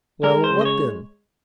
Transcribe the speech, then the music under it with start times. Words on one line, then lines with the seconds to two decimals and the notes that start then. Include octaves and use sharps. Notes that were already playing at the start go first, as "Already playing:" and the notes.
"Well, what then?"
0.23 G#3 A#4
0.44 C5
0.51 C#3
0.61 D#5
0.65 C#5